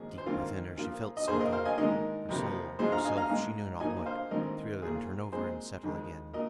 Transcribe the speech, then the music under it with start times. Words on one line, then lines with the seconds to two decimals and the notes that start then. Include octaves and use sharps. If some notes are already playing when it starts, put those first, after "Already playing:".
Deep within her she felt something--her soul, herself, she knew not what--thrill and turn over and settle again....
Already playing: G#1 G#2 F3 A#3 G#4
0.18 C5
0.26 G#1 G#2 D#3 C4 F4 A#4
0.77 A#2 F3 A#3 F4
1.17 D#5
1.28 C2 A#2 A#3 F4 G#4 C5
1.40 A#4 D#5
1.52 C5 F5
1.65 D#5 G#5
1.78 G#2 D#3 G#3 D#4 A#4 D#5
2.29 F2 C3 F3 A#3
2.79 G#2 F3 G#3 F4 G#4 C5
2.92 F5 A#5
3.05 D#5 G#5
3.17 F5 A#5
3.29 G#2 G#3 D#4
3.80 A#2 F3 A#3 D#4 D#5 G#5
4.06 C5 F5
4.31 G#1 G#2 D#3 C4 A#4 D#5
4.82 C2 A#2 A#3 F4 G#4
5.32 A#2 G#3 C4 G#4 C5
5.83 F2 D#3 G#3
6.33 A#2 A#4 D#5